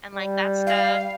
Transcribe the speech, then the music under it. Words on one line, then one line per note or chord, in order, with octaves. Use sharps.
and, like, that stuff,
G3
F5